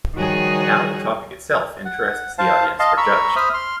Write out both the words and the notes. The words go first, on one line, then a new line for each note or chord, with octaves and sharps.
Now the topic itself interests the audience or judge.
D#3 F3 G3 F#4 G#4 C#5
F#5
C5 F5 A5
D#5 F5 A5 C6
A#5 B5 C#6 E6
C5 E5 B5 D#6 F6
C6 F6